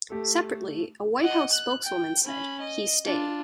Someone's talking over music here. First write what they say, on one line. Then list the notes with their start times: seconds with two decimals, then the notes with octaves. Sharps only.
Separately, a White House spokeswoman said, "He's staying".
0.10 A3 G4 A4
1.24 D#5 F#5
1.53 F#6
1.85 G5
2.24 C#4 B5
2.61 D#5
3.05 D4 F4